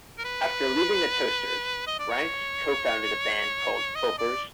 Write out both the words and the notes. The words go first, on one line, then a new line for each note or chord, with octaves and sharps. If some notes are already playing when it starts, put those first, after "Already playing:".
After leaving the Toasters, Ranx co-founded a band called Pilfers.
A#4
B4
D#5
D5
C#5
D#5
D5